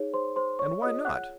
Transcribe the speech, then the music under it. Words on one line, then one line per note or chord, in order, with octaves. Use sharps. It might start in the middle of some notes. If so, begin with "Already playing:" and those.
"And why not?"
Already playing: D#4 G#4 C#5
C5 C6
C5 C6
C#5 C#6
F4 G#4 C#5 D#5 D#6
F#5 F#6